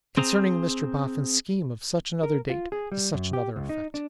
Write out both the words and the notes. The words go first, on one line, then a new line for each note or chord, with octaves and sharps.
Concerning Mr Boffin's scheme of such another date to such another effect.
C4 G#4 C5 A#5
A#4
F4
G#4
G3
F#2
G4
C#2
D#4
D4